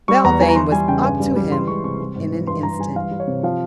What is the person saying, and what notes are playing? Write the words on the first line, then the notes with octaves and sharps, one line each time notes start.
Belvane was up to him in an instant.
G3 C#6
E2 A#5
E3 G#5
A#5
E3 C6
G3 G#5
C#3 G5
G2 G#5
G3
G3
E3 C6
G#3 C#6
C3 C#6
G3
G#2
E3
G2 C6
G3 A#5
G3 G#5
E3 F5
G3
C#5
C3
F3 F5